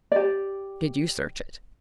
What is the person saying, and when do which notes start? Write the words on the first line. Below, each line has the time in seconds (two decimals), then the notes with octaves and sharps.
"Did you search it?"
0.12 G4 D5